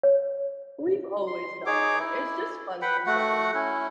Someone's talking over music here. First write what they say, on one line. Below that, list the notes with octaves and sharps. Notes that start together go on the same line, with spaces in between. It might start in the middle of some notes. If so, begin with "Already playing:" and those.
We've always done it, it's just fun sometimes.
C#5
C6
D#4 G#4 C#5 D6
E4
B4 F#5 G5 B5
A3 F#4 F#5
C#4 E4